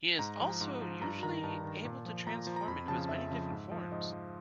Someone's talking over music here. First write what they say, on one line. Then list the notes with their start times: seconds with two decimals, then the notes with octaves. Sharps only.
He is also usually able to transform into his many different forms.
0.19 G#2 A#5
0.41 F3
0.61 G#2
0.81 F3
1.02 G2 A#5
1.23 D#3 A#5
1.44 G2 A5
1.64 D#3
1.85 A#2
2.06 F3
2.27 A#2 A#5
2.47 F3
2.56 A#5
2.68 F2 B5
2.88 C#3 F3 A5
3.09 F2 E5
3.30 C#3 F3
3.50 G#2
3.71 F3
3.92 G#2 D#5
4.13 F3